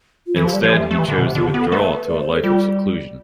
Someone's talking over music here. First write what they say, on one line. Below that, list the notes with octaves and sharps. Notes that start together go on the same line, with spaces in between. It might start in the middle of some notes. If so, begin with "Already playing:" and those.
Instead, he chose to withdraw to a life of seclusion.
F4
E3 A4
F3 G4
G3
F3
E3
A3
A3
E3
D3
B2
C3
D3 F4
G4
B3
A4
A3 B4
D5
C5
A4
G3 F4